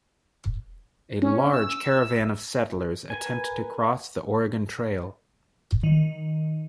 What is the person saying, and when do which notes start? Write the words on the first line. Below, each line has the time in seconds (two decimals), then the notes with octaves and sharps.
A large caravan of settlers attempt to cross the Oregon Trail.
1.22 C#4
1.53 E6
3.10 A#4 B4 G#5
5.83 D#3